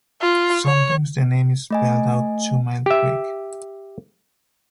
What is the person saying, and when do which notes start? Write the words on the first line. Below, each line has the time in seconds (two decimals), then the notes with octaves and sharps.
Sometimes the name is spelled out "Two Mile Creek".
0.22 F4
0.65 C#5
1.70 A3 D#5 G#5
2.86 G4 E5